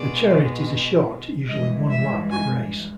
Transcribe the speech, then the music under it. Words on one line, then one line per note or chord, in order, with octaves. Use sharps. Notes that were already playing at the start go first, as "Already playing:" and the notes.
The chariot is a short, usually one lap, race.
Already playing: B2 G#3 D5
G2 E3 G#3 D#5
E5
G#5